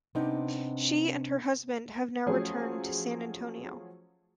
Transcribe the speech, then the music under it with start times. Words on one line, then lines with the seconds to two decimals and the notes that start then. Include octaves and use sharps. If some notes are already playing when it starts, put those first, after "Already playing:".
She and her husband have now returned to San Antonio.
0.15 C3 B3 C4 D4 D#4
2.26 F3 F#3 A3 C#4 G#4 C5